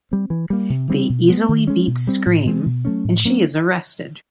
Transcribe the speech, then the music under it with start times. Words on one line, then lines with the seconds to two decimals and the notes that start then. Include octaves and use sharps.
They easily beat Scream and she is arrested.
0.11 G3 C4
0.30 E3
0.50 G3 A#3
0.70 C3
0.90 E3 G3 C4
1.10 B2
1.28 G#3 B3
1.49 D#3
1.67 G#3 C#4
1.87 B2
2.07 G3 C4
2.26 A2
2.45 E3 G#3 C4
2.66 B2
2.85 F#3 A3 C#4
3.04 A2
3.24 F#3 A#3 C#4